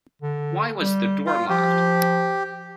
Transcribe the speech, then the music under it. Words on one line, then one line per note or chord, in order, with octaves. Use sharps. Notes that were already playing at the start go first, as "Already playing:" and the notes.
Why was the door locked?
D3
G3
F4
F3 G4